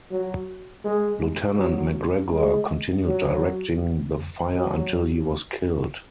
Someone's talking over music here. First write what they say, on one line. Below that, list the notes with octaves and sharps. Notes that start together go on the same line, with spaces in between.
Lieutenant McGregor continued directing the fire until he was killed.
F#3
G#3
F#3
G#3
F#3
F#3